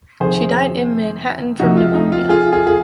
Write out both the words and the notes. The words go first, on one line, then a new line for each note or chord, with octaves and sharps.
She died in Manhattan from pneumonia.
F2 C3 D#3 G#4 C5
F2 C3 F3 D#4 F#4
F4
D#4
F4
F4 G#4
F4 G#4
G#4